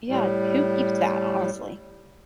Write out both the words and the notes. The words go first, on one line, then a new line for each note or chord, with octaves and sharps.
Yeah, who keeps that, ho honestly?
A2 G3